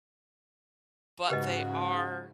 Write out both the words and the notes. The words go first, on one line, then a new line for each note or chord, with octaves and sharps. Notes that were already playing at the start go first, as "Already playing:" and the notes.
but they are
G#2 C#3 F#4 G4 B4 D#5